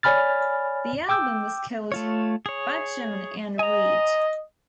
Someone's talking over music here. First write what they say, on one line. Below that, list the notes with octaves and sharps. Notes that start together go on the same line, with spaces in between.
The album was called "Betjeman and Read".
C#5 D5 G#5 B5 F6 A6
G5 D6 E6 G6
A3 F4 C#5
G#4 C#5
D#5 G#5 A#5